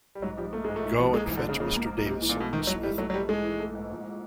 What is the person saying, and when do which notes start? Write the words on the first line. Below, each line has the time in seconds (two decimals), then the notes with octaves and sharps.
Go and fetch Mr. Davison, Smith.
0.15 G3
0.22 G#2 F#3
0.37 F3 G3
0.53 A3 A#3
0.65 G#2 G#3
0.76 A3
0.84 G#2
0.99 F3
1.14 G#3 A#3
1.26 E3
1.30 G#2
1.37 D3
1.45 G#2 C#3
1.60 C#3 F3
1.76 A#3
1.91 G#2
2.06 G#2 C3
2.22 E3
2.29 A#2
2.37 B2 A3
2.53 G#2 D#3
2.67 G#2 F#3
2.83 E3 G3
2.98 F#3 A3
3.10 F#3
3.14 G#2 G3
3.29 G#2 G#3
3.44 E3
3.60 A3
3.75 G#2
3.90 A#1